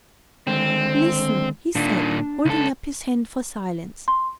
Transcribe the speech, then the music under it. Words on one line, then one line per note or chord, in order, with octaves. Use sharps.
"Listen!" he said, holding up his hand for silence.
D3 D#3 G#3 C4
A#2 D#3 D4
C#2 A4
C6